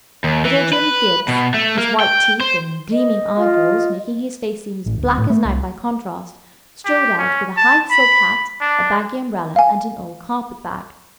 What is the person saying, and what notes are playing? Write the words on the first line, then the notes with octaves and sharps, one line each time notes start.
Little Jim Gibbs, his white teeth and gleaming eyeballs making his face seem as black as night by contrast, strode out with a high silk hat, a baggy umbrella, and an old carpet-bag.
D#2
E3
B4
B2
A3
A#3
G5
C5
D#5
F4
A1
D1
A2
A3
C2
G4
C#4
A5
B5
D4
F5 G#5